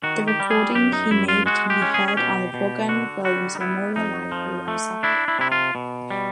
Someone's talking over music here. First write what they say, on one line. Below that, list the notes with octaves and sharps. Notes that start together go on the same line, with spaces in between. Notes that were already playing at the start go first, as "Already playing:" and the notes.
The recording he made can be heard on the Vaughan Williams Memorial Library website.
D#3 F#4
G4
G3
G#4
F#2 G4
D#4
F#2 E4
F4
G#3 F#4
G4
C#4
G#4
G#4
B2 G4
B2
D3 F#4
G3 F#4
D#4
B3 E4
F2 D#4
F3
A3
D4 E4
E4
C3 E4
F4
B2
G3